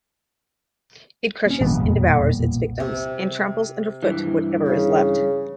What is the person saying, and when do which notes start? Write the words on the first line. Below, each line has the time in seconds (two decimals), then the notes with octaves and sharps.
It crushes and devours its victims, and tramples underfoot whatever is left.
1.46 B3 C#4
1.61 G#1 A#2 D#3 F3 G3 B3
1.80 F1 B1 E2
2.80 C3
4.03 G2 E3
4.65 C#3